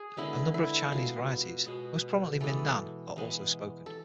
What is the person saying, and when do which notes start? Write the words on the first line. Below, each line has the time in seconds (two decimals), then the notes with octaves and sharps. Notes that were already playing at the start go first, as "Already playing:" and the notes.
A number of Chinese varieties, most prominently Min Nan, are also spoken.
Already playing: G#4
0.17 D3 G#3 B3 E4
0.54 E4
0.92 B2 G#3 B3 F4
1.66 B2 G#3 B3
2.41 E3 G#3 B3 A4
3.16 E3 G#3 B3
3.86 A4